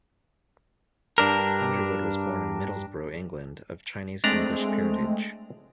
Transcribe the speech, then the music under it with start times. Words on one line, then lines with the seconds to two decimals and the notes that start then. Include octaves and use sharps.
Underwood was born in Middlesbrough, England, of Chinese-English parentage.
1.18 G2 D4 A#4
4.24 G#3 A3 C4 D4 D5 A#5